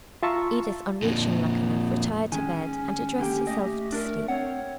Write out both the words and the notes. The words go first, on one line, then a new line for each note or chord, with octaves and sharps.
Edith on reaching Luckenough retired to bed, and addressed herself to sleep.
F4 E5 A5 A#5 C#6 E6
F2 A#2
D#3 G#3 C#4 G#5
D3 A#3 G4 G5
A3 G4 D#5
D4 A#4
C4 C#5 F#5